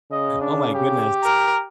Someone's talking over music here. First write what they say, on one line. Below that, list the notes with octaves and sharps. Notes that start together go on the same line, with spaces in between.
Oh my goodness.
C#3 D#5
D4
G4
A#4